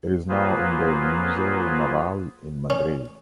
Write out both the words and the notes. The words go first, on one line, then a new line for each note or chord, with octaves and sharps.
It is now in the Museo Naval in Madrid.
F#3 A#3 F4 G#4 B4 C5
C#4